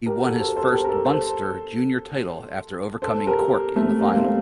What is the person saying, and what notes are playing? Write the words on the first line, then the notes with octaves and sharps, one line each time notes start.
He won his first Munster Junior title after overcoming Cork in the final.
G4 A#4
F#4 A4
A4 C5
A4 C5
G4 A#4
A#4
A4 C5
A4 C5
A4 C5
G4 A#4
A3 C4
G3 A#3
A3 C4